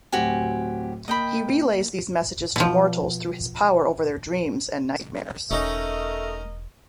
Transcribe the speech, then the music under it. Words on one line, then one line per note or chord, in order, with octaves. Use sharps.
He relays these messages to mortals through his power over their dreams and nightmares.
D1 A2 C4 F#4 G4 G#5
A#3 D#5 G5 B5
B2 F3
E1 A3 C#4 D#4 A#4 D#5